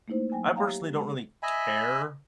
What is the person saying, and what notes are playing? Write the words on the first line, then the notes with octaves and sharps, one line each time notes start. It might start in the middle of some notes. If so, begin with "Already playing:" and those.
I personally don't really care
A3 A#3 D#4 E4 C5
F#3 G5 G#5
G4 C#5 E5 F5 G5 A#5
G#3 A#5
D#5 E5 G#5 B5